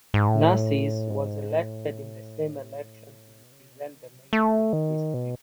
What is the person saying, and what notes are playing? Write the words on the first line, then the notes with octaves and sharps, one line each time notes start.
Narcisse was elected in the same election to represent the neighboring district.
G#2
A2
G#2
A2
B2
C#3
B2
D#3
F#3
A3
D#3
B2